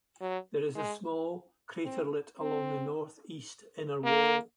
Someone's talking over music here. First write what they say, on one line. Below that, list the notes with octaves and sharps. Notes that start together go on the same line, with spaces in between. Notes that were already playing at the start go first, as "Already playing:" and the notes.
There is a small craterlet along the northeast inner wall.
F#3
G#3
C4
C4
A#3